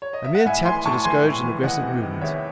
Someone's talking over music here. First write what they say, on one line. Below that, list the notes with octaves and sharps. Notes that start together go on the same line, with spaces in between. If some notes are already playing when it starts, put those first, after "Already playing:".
A mere tap to discourage an aggressive movement.'
C#5
D#5
E5
F#5
A2 E5 G#5
E3 G#5 C6
A2 A5 C#6
E3 G#5 C6
A2
E3
E2 D#5 F#5
C3
D#3
E2 C#5 E5